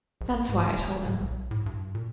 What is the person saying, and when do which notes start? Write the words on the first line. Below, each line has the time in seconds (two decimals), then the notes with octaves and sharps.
That is why I told him...
0.21 A#1
0.49 G#2
0.76 D#1
1.05 A2
1.21 B1
1.51 A2
1.66 G2
1.95 A#2